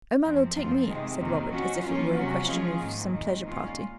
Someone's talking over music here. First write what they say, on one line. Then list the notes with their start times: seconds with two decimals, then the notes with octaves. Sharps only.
"Oh, my Lord, take me," said Robert, as if it were a question of some pleasure party.
0.23 F#2 F3 C4
0.55 F#2 F3 C4 F4
0.87 C3 D#3 G#3
1.19 F2 C3 D#3 A#3
1.51 D#3 F#3 C#4 F#4
1.82 F3 A#3 C#4 F4
2.14 C3 F#3 C#4 F#4
2.46 F3 G#3 C#4 F4 G#4
2.78 G#2 D#3 A#3
3.11 F2 D#3 G#3
3.43 A#2 G#3 C#4 F4